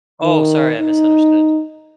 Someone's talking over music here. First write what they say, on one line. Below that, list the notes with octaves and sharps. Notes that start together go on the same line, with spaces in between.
Oh, sorry, I misunderstood,
D#3
D#4